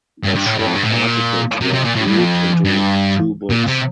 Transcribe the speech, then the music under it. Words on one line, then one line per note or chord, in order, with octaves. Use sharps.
The "Short" articles were grouped into two books.
G2
G2
A2
G2
F2
G2
A2
A#2
C3
C3
A#2
A2
G2
F2
G2
A#2
C3